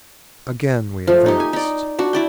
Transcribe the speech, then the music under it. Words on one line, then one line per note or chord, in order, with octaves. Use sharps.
Again we advanced.
F3 A3
D#4 G4
G#5
D#4 D5
D4 F#4
E4 D5 G5